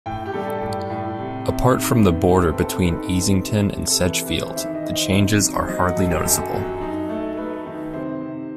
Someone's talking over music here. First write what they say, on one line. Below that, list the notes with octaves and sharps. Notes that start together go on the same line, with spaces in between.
Apart from the border between Easington and Sedgefield, the changes are hardly noticeable.
A2 G5
G4
G3 A4
A4
A2
A2
C3
C3
D#3
B3
C4 G4
A4
B4
C4 A4
B4
D#4 A4
C4
C3
C3
A4
E3 B4
B4
E3
C5
D#3 E5
D#5
D#3
C5
C3
F#3
C5
F#3 D#5
F#5
F#3 A4
G4
F#2 A4
F#3
D#4
A3
A4
A3 B4
D#3
C3 C5
C3